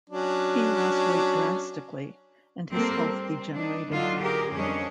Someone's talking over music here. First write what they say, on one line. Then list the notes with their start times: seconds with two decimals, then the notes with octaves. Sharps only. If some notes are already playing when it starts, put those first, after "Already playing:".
He lost weight drastically and his health degenerated.
0.10 F#3 C#4 D4
2.72 G3 A#3 C4 A4 A#4
3.10 C4
3.53 D4 D#4
3.90 D3 F#3 D#4 F4
4.22 G4 G#4 A#4
4.53 F2 G3 C#4 D4 C#5 D#5